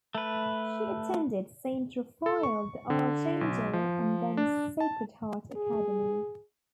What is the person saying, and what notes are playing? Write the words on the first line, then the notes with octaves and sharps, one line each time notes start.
She attended Saint Raphael the Archangel and then Sacred Heart Academy.
A3 B4
A4
C#6
D3
B1
F3
D4
A5
G#4